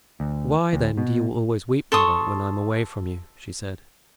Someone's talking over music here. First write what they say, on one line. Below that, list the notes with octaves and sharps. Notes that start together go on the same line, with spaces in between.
"Why, then, do you always weep, mother, when I am away from you?" she said.
D2
D2
B2
A4 C6 C#6 D#6